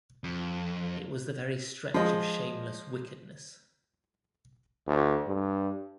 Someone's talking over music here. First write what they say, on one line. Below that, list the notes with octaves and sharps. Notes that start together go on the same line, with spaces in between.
It was the very stretch of shameless wickedness.
F2
F3 G#3 D#5
D2
G2